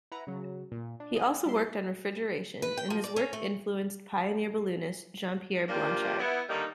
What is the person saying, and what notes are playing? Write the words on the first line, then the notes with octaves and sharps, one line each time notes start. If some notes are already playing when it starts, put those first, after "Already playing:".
He also worked on refrigeration, and his work influenced pioneer balloonist Jean-Pierre Blanchard.
E4 B4 F#5 A#5
C#3 F#3
A#2
D4
D#5 G#5
G3 E4 E5 C6
B4
G5
F3
D5
C#4
A3
C3 A#3 D4 F4 G4 A#4
B3 E4
D3 D#3 G3 A#3 D#4